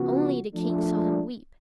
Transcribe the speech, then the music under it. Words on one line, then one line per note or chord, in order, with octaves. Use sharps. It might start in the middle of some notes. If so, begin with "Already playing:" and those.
Only the King saw him weep.
Already playing: C#3 F3 B3 F#4
F3 A3 D4